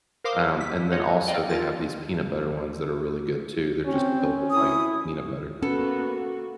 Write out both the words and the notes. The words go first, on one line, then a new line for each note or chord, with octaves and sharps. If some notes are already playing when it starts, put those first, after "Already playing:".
Um, and then also they have these peanut butter ones that are really good too, they're, just, filled with, like, peanut butter.
A#4 C5 F5 C6 D6 D#6
B6
F4 F#4 C#5 D#5 F#5
D5 D#5 F5 G5
F4 A#4 A6
C4 C#4
C#4
E4 D#6
A#3 B3 C#4 F#4 A4